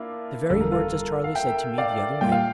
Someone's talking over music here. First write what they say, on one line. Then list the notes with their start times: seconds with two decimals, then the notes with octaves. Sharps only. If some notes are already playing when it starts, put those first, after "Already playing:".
The very words as Charley said to me the other night.
Already playing: A#3 D4 E4 F4
0.50 G1 F2 D3 G3 A4
0.61 A#4
0.71 F4 A4
1.24 F5
1.35 E5 G5
1.78 D5 F5
2.21 A#2 G3 A#3 F4 G5
2.32 F5